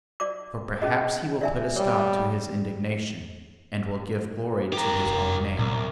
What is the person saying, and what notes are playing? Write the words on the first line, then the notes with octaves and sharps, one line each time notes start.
For perhaps he will put a stop to his indignation, and will give glory to his own name.
D5 D6
C#4 G#4 D#5
D5 E5 G#5
G3 C#5
G4 A#4
F1
C2 A#2 F#3 C4